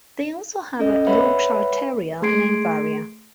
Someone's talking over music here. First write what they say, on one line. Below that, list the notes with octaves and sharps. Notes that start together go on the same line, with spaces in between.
They also have a Yorkshire Terrier named Varia.
C#4 A4 D#5
B4 C#5 E5 F#5 B5
A3 G#4 C6 G#6 C7 D7